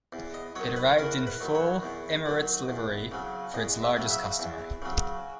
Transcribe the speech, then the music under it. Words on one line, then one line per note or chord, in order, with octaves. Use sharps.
It arrived in full Emirates livery for its largest customer.
E2
D#5
D#3 F#3 C#5
B4
E2 A#4
B4
D#3 F#3
C#5
E2
D#3 F#3
E2
C#3 F#3
E2 D#5
E5
C#3 F#3
E5
E2
C#3 F#3